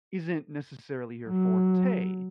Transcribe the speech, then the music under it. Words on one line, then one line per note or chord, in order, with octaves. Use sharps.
isn't, necessarily, your forte.
F#3